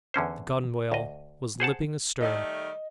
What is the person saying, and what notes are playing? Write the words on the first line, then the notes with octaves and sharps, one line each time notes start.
The gunwale was lipping astern.
E2 D3 C#4 C5
D2 D#5
G#4 C5 F#5 A5
D#3 G3 A3 D#5